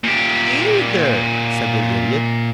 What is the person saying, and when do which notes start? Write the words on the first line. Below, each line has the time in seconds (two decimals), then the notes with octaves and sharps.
"Either," said the Idiot.
0.03 A#2 G4